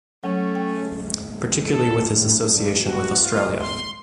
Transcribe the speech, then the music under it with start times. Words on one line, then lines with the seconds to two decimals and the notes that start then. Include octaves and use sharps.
Particularly with his association with Australia.
0.24 F#3 A3 C#4
0.55 G5
1.63 A4
2.02 A2
2.37 G2
2.79 F#4
3.14 F4
3.59 C6